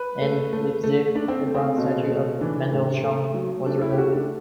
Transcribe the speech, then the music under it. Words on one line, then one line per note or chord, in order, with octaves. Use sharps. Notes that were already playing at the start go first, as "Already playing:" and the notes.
In Leipzig, a bronze statue of Mendelssohn was removed.
Already playing: B4
A3
A3
A3
A3 D4
C4
A3
C4
B2
A3
E3 D4
A2
A3
F#3
A3 D4
E4
G4
A3 F#4
D4